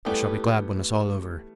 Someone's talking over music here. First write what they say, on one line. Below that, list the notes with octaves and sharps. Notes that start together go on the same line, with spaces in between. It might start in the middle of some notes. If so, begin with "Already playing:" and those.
I shall be glad when it's all over.
E3 G3 A3 B3 E4 G4